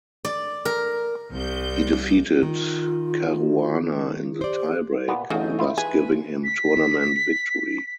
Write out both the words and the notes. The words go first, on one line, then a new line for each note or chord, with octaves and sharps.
He defeated Caruana in the tiebreak, thus giving him tournament victory.
D5
A#4
C2 G6
D#3 F4
G4 C5 D5
A#2 B3
G1 C#3 E3 A3 D#4 F#4
E4 F4
G#4 B4
B6